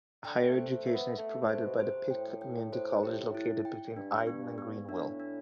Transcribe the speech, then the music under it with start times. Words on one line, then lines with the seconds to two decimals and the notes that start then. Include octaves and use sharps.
Higher education is provided by Pitt Community College, located between Ayden and Greenville.
0.25 D3 G5
0.48 A3
0.56 C5
0.71 A3
0.87 E5
0.94 B3
1.18 A3 E5
1.41 A3
1.49 C5
1.65 B2
1.80 C5
1.88 C3
2.10 A2 G5
2.41 G5
2.73 C5
3.03 G4
3.34 E4
3.65 G5
3.96 G2 D4
4.27 B3
4.58 B3
4.89 A2 D4
5.20 D4